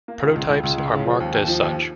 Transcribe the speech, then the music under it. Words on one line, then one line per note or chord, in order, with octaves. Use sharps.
Prototypes are marked as such.
A#3
C#2
C#2
C#2
C#2
C#2
C#3
F3
D#2
D#2
F3
D#2